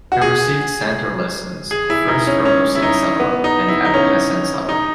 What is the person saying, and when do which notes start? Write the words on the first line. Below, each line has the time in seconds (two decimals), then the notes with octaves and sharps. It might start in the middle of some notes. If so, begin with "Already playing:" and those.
He received santur lessons first from Hossein Saba and Abolhassan Saba.
0.12 F#4
0.22 G#4
1.71 G#4
1.90 E4
2.08 D#4
2.27 C#4
2.45 C#4
2.75 E4
2.82 D#4
3.20 B3
3.44 D#4
3.68 E4
3.85 D#4
3.94 C#4
4.69 D#4